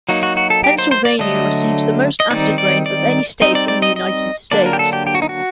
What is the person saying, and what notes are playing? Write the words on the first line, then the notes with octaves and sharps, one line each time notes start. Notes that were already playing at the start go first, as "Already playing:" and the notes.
Pennsylvania receives the most acid rain of any state in the United States.
F#3 A#3 D#4 F#4
F#4
F#4
A4
G4
C5
C5
D5
D3 F#3 A3 D4 D#5
D#5
D#3 G3 C4 D#4 D5
D5
D5
G3 C4 D#4 D#5
D5
D5
D#5
D#5
D3 F#3 A#3 D4 D5
A#4
G4
A4
G4
G4
F#4
D#4
F#4